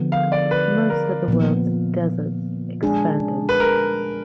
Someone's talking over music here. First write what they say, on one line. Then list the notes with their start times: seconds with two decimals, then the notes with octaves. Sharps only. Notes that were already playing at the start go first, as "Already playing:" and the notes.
Most of the world's deserts expanded.
Already playing: D3 F3 B3
0.12 F5
0.32 D5
0.51 B4
0.90 A#4
1.28 A#2 F3 B3
2.83 G#3 D4 G#4
3.49 B4
3.60 A#4